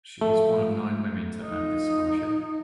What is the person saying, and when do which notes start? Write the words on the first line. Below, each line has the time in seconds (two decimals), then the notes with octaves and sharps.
She is one of nine women to earn this scholarship.
0.21 F3 A3
1.40 F3 D#4